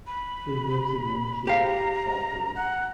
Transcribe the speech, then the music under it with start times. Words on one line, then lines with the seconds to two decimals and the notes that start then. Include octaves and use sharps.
He lives in Mangere, Auckland.
0.07 B5
1.47 G4 F5 A#5
2.56 F#5